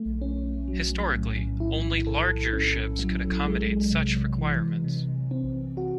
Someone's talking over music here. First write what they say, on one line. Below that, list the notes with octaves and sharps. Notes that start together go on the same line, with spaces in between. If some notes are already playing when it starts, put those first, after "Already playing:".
Historically, only larger ships could accommodate such requirements.
Already playing: A3
C#4
F#3
A2
E4
A4
C#4
F#3
G#3
C3
E3
C3
C4
F#4